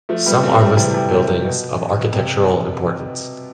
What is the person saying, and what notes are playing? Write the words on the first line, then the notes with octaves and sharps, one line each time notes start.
Some are listed buildings of architectural importance.
F3 A3
G3 B3
A3 C4
G3 B3
C3 E3
C3
C3
C3
B2
B2
C3